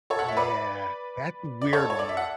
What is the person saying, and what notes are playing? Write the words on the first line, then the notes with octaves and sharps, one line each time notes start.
Yeah. That weird one.
A4 C#5
F#5
E5
B4 D5
D5
A4 C#5
C#5
D5
E5
F#5